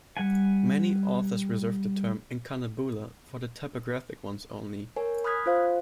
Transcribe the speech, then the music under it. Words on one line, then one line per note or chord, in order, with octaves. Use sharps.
Many authors reserve the term "incunabula" for the typographic ones only.
G3 F#5 G#5
A#4 C#5 G#5
B5 D#6 F6 F#6 G#6 B6
F4 C5 F5